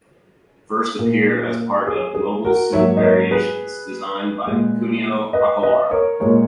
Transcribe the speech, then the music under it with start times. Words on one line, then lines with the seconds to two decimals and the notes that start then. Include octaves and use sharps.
First appear as part of Mobile Suit Variations, design by Kunio Okawara.
0.99 A#2 A#3
1.87 G#4
2.15 G#4
2.45 F#4 A#4
2.73 G#2 F#3 A#3 C#5 E5
2.97 D#5
3.02 A#4 C#5
3.31 G#4 B4
4.47 A#2 G#3
5.33 B4 D#5
5.63 B4 D#5
5.91 A#4 C#5
6.20 A#2 G#3 A#4 C#5